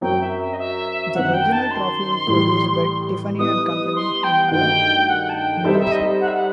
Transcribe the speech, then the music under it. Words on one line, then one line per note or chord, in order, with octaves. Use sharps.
The original trophy was produced by Tiffany and Company in Newark, New Jersey.
F#2 F#3 C4 G5
E5
E5
D#5
E5
F#2 D#3 F#3 C4 F#4 F#5
G5
A5
C6
A2 E3 G3
G3 B3 E4 B4 D#5 D#6
D#6
C6
G5
F#5
G2 D#3 A3 D#4 F#4 G5
F#5
A5
G5
G3 C4 D#4 A4 C5 E5
E5
D#5
F#5
E5
F#5